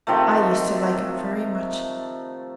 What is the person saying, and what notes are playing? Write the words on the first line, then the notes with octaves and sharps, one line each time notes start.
I used to like her very much.
C3 D#3 F3 A3